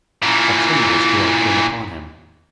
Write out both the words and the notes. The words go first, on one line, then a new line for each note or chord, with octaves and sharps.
A tremulous joy came upon him.
A#2 E3